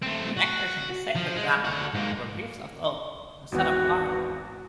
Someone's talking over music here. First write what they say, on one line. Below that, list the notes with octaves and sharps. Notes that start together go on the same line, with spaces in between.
The actors in the sacred drama wore wreaths of oak instead of laurel.
A3 C4
F#4
F3
G#3
D3 F#4
G#2 A#3
G#1 E2 B3 F#4